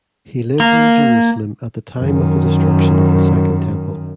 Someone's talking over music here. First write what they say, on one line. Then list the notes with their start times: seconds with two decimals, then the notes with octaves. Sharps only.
He lived in Jerusalem at the time of the destruction of the Second Temple.
0.60 A#3
1.99 F#2 D#3